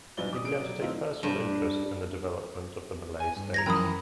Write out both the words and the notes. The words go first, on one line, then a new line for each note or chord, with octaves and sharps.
He began to take personal interest in the development of the Malay States.
B1 G2 F3 D5 G7
D6 D#6
C#4 G#4 D7
F#3 D5
E3 F#3 A3 C4 D#4 F4
G2
G#5
G2
A#5 G#6 A#6
F#2 E3 F3 G5 A#5 B5 D#6